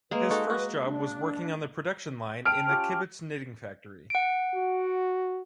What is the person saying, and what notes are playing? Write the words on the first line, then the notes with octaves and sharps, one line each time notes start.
His first job was working on the production line in the kibbutz knitting factory.
G#3 A#3 B4
D#4 F#4 A4
F#4
D4
G5 A5 F6 D7
C#4 F4 G4
F#5 D7
F#4